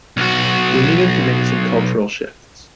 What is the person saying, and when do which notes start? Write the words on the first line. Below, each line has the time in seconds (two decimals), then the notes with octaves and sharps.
We needed to make some cultural shifts.
0.17 B1 F#4